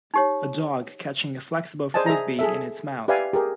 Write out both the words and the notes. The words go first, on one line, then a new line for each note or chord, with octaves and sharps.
A dog catching a flexable Frisbee in its mouth.
D#4 G4 C#5
G#4 C5 D5 D#5 G#5 A5
G#4 E5 A#5
G#4 A4 E5
G4 B4 D5 E5 F5 G#5
G4 G#4 A#4